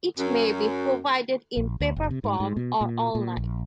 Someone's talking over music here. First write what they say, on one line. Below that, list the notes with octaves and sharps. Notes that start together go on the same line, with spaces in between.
It may be provided in paper form or online.
F#2
A#1
D2
F#1
C3
G#2
G#2
B2
A#2
A#2
A#1